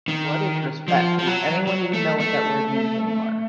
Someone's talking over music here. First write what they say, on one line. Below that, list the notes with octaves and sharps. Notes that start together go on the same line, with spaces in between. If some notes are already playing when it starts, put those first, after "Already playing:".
What is respect? Does anyone even know what that word means anymore?
D#3
F3
F3
F#3
F#3
A3
A3